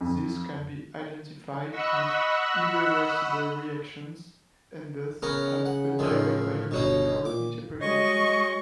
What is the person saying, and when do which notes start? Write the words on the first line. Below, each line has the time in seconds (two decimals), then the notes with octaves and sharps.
These can be identified with irreversible reactions, and thus have a direct biochemical interpretation.
0.01 F2
1.70 D#5 F#5 B5 C#6 E6 F#6
5.22 C#3 B3 C#4 A#4
5.66 F#5
5.99 A2 D#3 F3
6.71 G1 B2 C#4 D#4
7.25 A#2 D6
7.81 G3 G#3 F#4 C#5 D#5 C#6